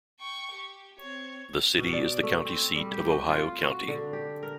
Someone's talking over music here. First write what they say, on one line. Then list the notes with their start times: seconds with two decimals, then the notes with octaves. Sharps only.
The city is the county seat of Ohio County.
0.20 G5 C#6
0.51 G4
0.98 C4 C#5
1.79 B2
1.93 D5
2.23 A3
2.45 C4
2.76 G3
2.92 G4
3.11 F#4
3.29 F4
3.63 F#4
3.88 D3
4.13 G4
4.43 A#4